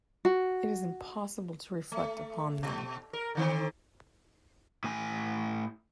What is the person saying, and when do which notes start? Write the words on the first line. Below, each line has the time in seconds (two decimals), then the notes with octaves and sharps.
It is impossible to reflect upon them.
0.25 F#4
1.92 A3
2.63 B2
3.13 A#4
3.35 D3 D#3 C4
4.84 A2 G#5